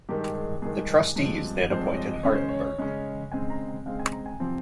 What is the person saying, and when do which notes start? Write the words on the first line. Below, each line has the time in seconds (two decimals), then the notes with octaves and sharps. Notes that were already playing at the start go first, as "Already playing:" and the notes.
The trustees then appointed Hardenbergh.
0.09 G2 D#3 G#3 G4
0.35 G#4
0.62 G2 D#3 G#3 G#4
1.16 G2 F3 G#3 C4
1.70 G2 F3 G#3 C4 C5
1.83 C#5
1.97 D#5
2.11 D#5
2.23 C#3 G#3 C#4 C#5
2.35 C5
2.49 C#5
2.78 C#3 G#3 C#4
3.32 C#3 G#3 C4 G#5
3.50 A#5
3.68 G#5
3.85 C#3 G#3 C4 F5
3.99 G#5
4.13 A#5
4.26 G#5
4.40 C3 F3 C4